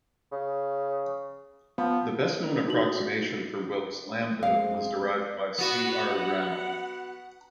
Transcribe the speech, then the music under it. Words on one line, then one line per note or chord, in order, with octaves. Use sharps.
The best-known approximation for Wilks' lambda was derived by C. R. Rao.
C#3
F3 B3
D#4 F#4 F#7
G#3 C4 F5
B3 F#4 F#5